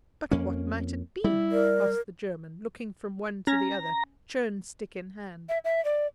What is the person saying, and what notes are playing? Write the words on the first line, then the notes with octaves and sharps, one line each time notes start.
"But what might it be?" asked the German, looking from one to the other, churn-stick in hand.
F2 A#3 C#4
G3 E4
A#4 D5
C#4 A#5
E5
E5
D5